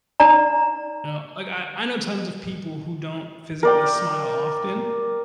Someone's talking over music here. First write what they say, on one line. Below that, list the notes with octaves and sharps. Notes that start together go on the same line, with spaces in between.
You know? Like, I I know tons of people who don't physically smile often,
D#4 D5 A#5
A#4 D5 G5